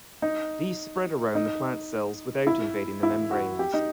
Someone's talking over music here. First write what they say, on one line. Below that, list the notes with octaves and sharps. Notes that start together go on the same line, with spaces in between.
These spread around the plant cells without invading the membranes.
D#4
D#4
E4
E4
F#4
G4
D#4